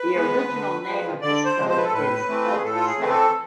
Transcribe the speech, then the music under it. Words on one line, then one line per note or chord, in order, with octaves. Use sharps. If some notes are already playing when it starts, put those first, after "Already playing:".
The original name of this code is "book stack".
Already playing: B4
G#3 B3
D3
F3 G#3
D3 D5
C5
F3 G#3
C5
B4
A4
A2 B4
E3 A3 C4
F4
G#4
A2 A4
F4
G#4
E3 A3 C4 B4
A4